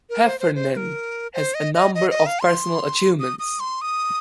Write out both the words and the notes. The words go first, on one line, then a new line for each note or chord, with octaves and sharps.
Heffernan has a number of personal achievements.
A#4
C5
C5
C5
C5
A#4
C5
D#5
D#5
D#5
D#5
F5
C6
D#6
D#6
C6
D#6